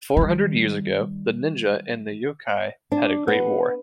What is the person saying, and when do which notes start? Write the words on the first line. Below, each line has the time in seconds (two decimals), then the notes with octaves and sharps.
Four hundred years ago, the ninja and the Youkai had a great war.
0.17 D#3 G3
2.92 D4
3.28 B3